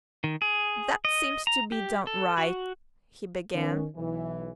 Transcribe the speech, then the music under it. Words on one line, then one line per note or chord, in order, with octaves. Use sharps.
'That seems to be done right--' he began.
D#3
G#4
D#5
A#5
G4
A4
F#4
D#3 B3 C#4
B1 E3